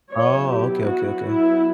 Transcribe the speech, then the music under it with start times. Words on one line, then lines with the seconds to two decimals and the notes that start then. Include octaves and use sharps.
Oh, okay, okay, okay.
0.12 F#3 B3 E4 C#5
0.49 G4
0.87 F#4
1.25 E4